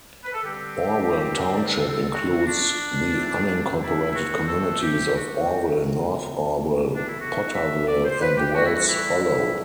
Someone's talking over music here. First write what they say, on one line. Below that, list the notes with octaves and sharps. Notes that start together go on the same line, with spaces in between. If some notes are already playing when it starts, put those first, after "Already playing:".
Orwell Township includes the unincorporated communities of Orwell, North Orwell, Potterville, and Wells Hollow.
B4
A4
G2 D3 G3 C4 G4
D5
C5
B4
A4
F#4
D4
C3 E3 A3 C4
E4
E4
F#4
A4
G4
F#4
A2 E3 B3
D4
E4
F#4
E5
D5
C5
B4
G4
A2 E3 G3 F#4
E4
F#4
E4
E4